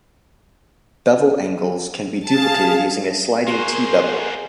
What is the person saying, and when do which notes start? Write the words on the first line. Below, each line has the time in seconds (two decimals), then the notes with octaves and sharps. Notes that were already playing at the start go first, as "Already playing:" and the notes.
Bevel angles can be duplicated using a sliding T bevel.
2.30 G#4 F5 A5
3.47 A#3 F#4 G#4 A#4 C5 C6